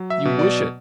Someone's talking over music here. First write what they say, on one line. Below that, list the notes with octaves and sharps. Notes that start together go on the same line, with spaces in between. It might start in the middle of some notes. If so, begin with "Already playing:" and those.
You wish it.
Already playing: F#3
E5
B2
D5